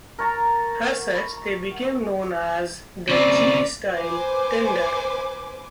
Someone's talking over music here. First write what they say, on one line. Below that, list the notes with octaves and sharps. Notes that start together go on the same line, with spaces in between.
As such, they became known as the 'G' style tender.
A#4 C#5 A5 A#5
C#3 C4 D5
B4 C5 G#5 D6